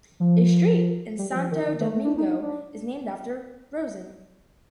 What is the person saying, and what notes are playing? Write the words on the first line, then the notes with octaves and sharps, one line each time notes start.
A street in Santo Domingo is named after Rosen.
F3
G3
G3
F3
D#3
D#3
A3
A3
D4
D#4
D4